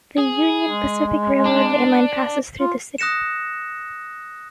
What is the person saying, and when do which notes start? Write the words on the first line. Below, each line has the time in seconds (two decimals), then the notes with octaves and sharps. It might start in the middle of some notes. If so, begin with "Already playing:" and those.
The Union Pacific Railroad mainline passes through the city.
0.18 G#4
0.68 G#3
1.46 D4
2.60 F4
2.98 D#6 F#6 A#6 C#7 E7